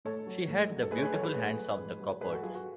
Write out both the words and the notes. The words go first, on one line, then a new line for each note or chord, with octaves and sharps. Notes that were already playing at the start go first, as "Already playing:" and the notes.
She had the beautiful hands of the Coppards.
A2 A4 C#5
F#3
A2
F#3
A4
A2 G#4 B4
C#5
G#4 B4
F#3 A4 C#5
G#4 B4
A2
F#3
G#2
F#3
G#2 G#4 B4
F#4 A4
F#3 F4 G#4
F#4